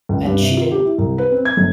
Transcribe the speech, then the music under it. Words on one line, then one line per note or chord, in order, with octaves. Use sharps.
and she didn't
C#2
G2
C3
F4
G4
E4
C2
B4
C4
G#6
G1